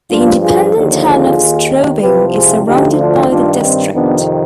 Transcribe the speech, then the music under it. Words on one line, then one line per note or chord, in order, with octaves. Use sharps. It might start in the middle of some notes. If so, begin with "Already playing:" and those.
The independent town of Straubing is surrounded by the district.
G2 F3 D4 F4
F4 G#4
D#2 D3 F3
F4 G#4
D#2 D#3
C2 C3 F3 G4 B4
F4 G#4
D2 D3 F3 D#4 G4
D4 F4
G2 D#3 D4 F4
C4 D#4
F2 C3 D#3 B3 D4